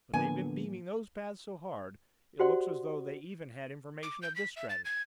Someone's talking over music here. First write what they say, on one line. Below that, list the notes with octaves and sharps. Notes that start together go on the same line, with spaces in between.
But they've been beaming those paths so hard, it looks as though they even had information of this strategy.
A2 D3 F3 A#3 B3 G#5
F#4 G4 C5 D5 F#5 C6
D6
G6
B6
E5
A6
G#6